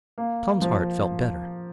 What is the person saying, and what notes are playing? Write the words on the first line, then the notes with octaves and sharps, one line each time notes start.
Tom's heart felt better.
A#3
F3